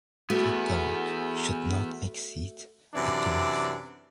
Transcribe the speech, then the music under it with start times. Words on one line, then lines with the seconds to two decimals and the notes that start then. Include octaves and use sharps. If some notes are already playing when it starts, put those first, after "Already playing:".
The outer coat should not exceed at the ruff.
0.30 E2 A3 B3 F#4
2.94 F#2 C3 E3 D4 D5